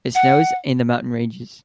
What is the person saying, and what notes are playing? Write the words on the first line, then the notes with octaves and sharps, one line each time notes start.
It snows in the mountain ranges.
F#5